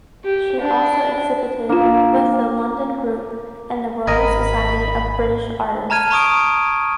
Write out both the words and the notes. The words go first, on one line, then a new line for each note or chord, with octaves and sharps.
She also exhibited with the London Group and the Royal Society of British Artists.
G4
D4
A#3 D4 F4
G#1 A#4 D#5 G#5 B5
A5 A#5 F6 G#6 D#7
A#5 C#6 D#6 D7